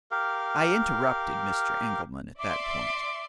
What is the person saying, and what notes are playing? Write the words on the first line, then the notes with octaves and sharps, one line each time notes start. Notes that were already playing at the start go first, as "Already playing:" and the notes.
I interrupted Mr. Engelman at that point.
G4 A#4 F5
D5 E5 C6 D6